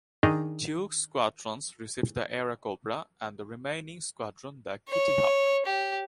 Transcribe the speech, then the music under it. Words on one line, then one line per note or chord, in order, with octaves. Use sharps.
Two squadrons received the Airacobra and the remaining squadron the Kittyhawk.
D#3 D4 D#4 G#4 D#5 A#5
C#5
G4